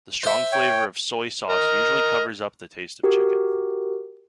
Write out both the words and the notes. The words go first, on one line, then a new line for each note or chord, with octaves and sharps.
The strong flavour of soy sauce usually covers up the taste of chicken.
C5 E5
C#5 G5
A#4 D#5
F#4 G4 A#4